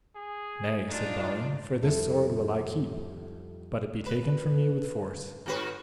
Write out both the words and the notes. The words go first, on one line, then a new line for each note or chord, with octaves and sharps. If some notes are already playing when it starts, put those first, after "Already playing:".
Nay, said Balin, for this sword will I keep, but it be taken from me with force.
G#4
D4 D#4 F4
F2 G3 C4 E4 A4
B4
G#2 F#4 B4